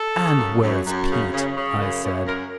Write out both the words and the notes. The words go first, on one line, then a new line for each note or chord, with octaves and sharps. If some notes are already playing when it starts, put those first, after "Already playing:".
"And where's Pete?" I said.
Already playing: A4
C#3
F#2
F#2
F#2
C#3
C#3
C#3
F#2
F#2
F#2 A#4